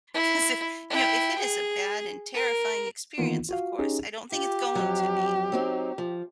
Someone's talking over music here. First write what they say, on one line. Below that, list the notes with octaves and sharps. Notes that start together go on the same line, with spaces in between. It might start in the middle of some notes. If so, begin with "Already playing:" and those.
'cause if, you know, if it is a bad and terrifying experience, of course, I don't think it's going to be,
E4
E4 G5
G#4
A#4
D#3 E3 A#3 B3 D#4 F4
F4 F#4 F5
C#4 D#4 G4 G#4
F4 G4
F2 F#3
F#3 C4 D#4
F3